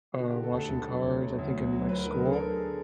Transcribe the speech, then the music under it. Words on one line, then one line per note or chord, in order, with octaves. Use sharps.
uh, watching Cars, I think in, like, school.
D3 F#4
D3 G4
A4
D2
A4
D2 A4
F#3
D2
F#3
D2
F#3
F#3
F#3 B4
A#4
D3
D3 A4
A#4
D3 A4
G#4